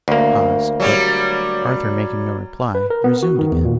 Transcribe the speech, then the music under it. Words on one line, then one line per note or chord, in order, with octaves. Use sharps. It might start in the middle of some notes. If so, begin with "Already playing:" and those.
He paused; but, Arthur making no reply, resumed again.
D2 A#3
F#3 G3
B4
A#4
B3
F#4
D#3
E2
A#2